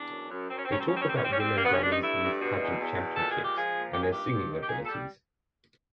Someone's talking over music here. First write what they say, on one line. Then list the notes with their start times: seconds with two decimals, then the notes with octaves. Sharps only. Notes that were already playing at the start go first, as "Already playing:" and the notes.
They talk about Will and Danny's youth-pageant championships and their singing abilities.
Already playing: E2 D4
0.11 F#2
0.31 F#2
0.49 F#2 C4
0.58 C#4
0.65 C4
0.69 F#2 C#4
0.80 C4
0.87 B2 C#4
0.95 C4
1.02 C#4
1.07 G3 C4
1.17 C#4
1.25 G3 C4
1.33 C#4
1.40 C4
1.45 G3
1.57 A#3
1.64 G2 B3
1.74 C#4
1.84 G2 D4
1.92 D#4
2.03 A3 E4
2.21 G2
2.41 B2
2.60 E2
2.79 E2
2.98 B2
3.17 A#2 A4
3.31 G#3 G#4
3.45 G4
3.55 F3 G#4
3.74 A#2
3.93 D#3 G4
4.03 G#4
4.13 G2 G4
4.32 G2
4.51 D#3
4.62 G4
4.69 A#2 G#4
4.85 G3 A4